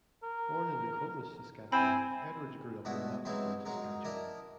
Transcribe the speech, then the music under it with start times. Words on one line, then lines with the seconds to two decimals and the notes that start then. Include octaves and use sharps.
Born in Nokomis, Saskatchewan, Edwards grew up in Battleford, Saskatchewan.
0.23 A#4
1.72 C4 E4 G#5 B5
2.85 G2 B2 G#3 A3 E4 F#4
3.25 E3 F#3 G#3 C4 D#4 E4
3.65 F#3 G#3 D#4 A#4
4.04 D4 E4 A#4 D#5